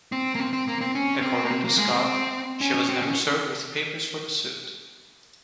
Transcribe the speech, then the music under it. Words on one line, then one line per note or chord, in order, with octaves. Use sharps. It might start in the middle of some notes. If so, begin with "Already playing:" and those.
According to Scott, she was never served with papers for the suit.
C4
A#3
C4
C4
A#3
C4
C#4
C4
A#3
C4
A#3
G#3
C4
C#4
C#4
C4
C#4